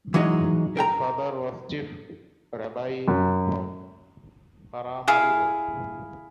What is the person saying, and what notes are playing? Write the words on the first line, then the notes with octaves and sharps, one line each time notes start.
His father was chief rabbi of Paramaribo.
E3 F#3 G#3 D#4 D#5
A#4 G5 A#5
F#2
E4 G#4 F5